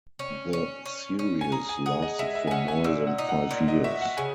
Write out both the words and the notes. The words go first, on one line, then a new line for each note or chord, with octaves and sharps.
The series lasted for more than five years.
C#4
C#4
C#4
C#4
G#5
G#4 A#5
G#5
G#4 F#5
D#5
G#3 E5
E5
G#5
C#4 F#5
G#5
A#2 E6
F#5
D#4
F#5
A#2
D#5
F#4 E5
F#5
C#3 G#5